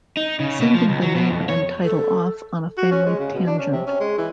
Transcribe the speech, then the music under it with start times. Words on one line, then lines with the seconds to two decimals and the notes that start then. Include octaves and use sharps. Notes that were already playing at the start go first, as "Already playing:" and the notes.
Sending the name and title off on a family tangent.
0.17 D#4
0.40 C#3
0.60 B2
0.75 F3
0.89 C#2
1.03 F#3
1.15 B2
1.30 F2
1.49 C#5
1.83 A4
2.78 F#4
2.92 C#4
3.06 G#3
3.20 C#3
3.34 B2
3.47 D4
3.59 C#4
3.72 C3
3.87 C#4
4.00 G#3
4.18 E3